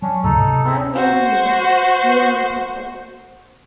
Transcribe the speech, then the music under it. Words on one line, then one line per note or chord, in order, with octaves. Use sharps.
I am an unbeliever: you are an apostle!
F#3 C#4 D4
D2 G#2 C#3 D#4 A4
C3
E4 G#4 E5
F#4 C5